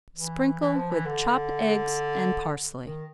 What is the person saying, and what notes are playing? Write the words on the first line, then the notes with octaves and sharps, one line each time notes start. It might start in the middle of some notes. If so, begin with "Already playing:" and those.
Sprinkle with chopped eggs and parsley.
E3
E3
F3
E3
D3
D#3